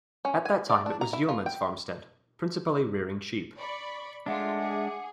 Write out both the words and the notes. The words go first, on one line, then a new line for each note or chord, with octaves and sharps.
At that time it was a yeoman's farmstead, principally rearing sheep.
C#4
G#5
D5
D4
A#5
E4
F4
G5
D5 B5 C#6
G#3 A3 D4 F4 E5 F#5 D6
G#4